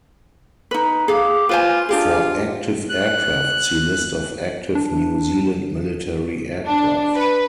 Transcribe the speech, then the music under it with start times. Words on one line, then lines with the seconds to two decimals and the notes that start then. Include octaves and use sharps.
For active aircraft see List of active New Zealand military aircraft.
0.71 D#4 B4
1.08 G4 G#4 F5
1.49 F4 B4 C5 G#5
1.89 D4 F4 G4 G#4
2.89 F#6
4.75 D4
6.66 D4
7.15 B4